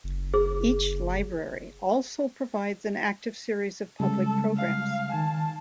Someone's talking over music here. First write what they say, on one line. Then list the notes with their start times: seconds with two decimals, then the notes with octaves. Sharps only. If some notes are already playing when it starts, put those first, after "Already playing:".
Each library also provides an active series of public programs.
0.04 F#1
0.34 G#4
4.00 C#3 G3 G#3 A4
4.57 F5
5.12 D#3 G#5 A5